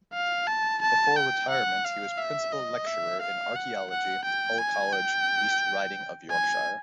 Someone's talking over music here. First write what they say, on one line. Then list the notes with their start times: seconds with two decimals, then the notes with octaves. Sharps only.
Before retirement he was Principal Lecturer in Archaeology, Hull College, East Riding of Yorkshire.
0.14 F5
0.47 A5
0.82 A5
1.16 G5
1.50 F#5
1.85 F5
2.18 E5
2.52 D#5
2.87 E5
3.21 F5
3.56 F#5
3.90 F#5
4.25 G5
4.58 G#5
4.93 G5
6.30 G#5